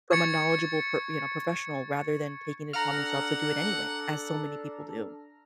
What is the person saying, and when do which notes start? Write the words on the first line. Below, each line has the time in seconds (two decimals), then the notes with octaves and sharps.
from a knowledgeable per you know, professional rather than taking it upon themselves to do it anyway, as so many people do.
0.11 C#6 G#6 A6 C#7
2.73 D4 A4 F#5 A#5 F6